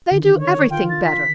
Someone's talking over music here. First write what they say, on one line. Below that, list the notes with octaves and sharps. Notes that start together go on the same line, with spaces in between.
"They do everything better."
D3 D#3
C#5
F4 G5
A6
B6